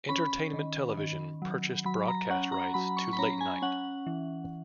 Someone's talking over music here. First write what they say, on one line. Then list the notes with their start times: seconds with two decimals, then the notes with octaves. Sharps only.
Entertainment Television purchased broadcast rights to "Late Night".
0.09 C#4 B5
0.53 D#3
0.98 D#3
1.42 F#3
1.85 F#3 B5
2.08 A#5
2.30 C#4 F#5
2.52 A#5
2.74 F#3 B5
2.97 C#6
3.13 B5
3.19 C#4 A#5
3.41 G#5
3.62 C#4 F#5
4.07 E3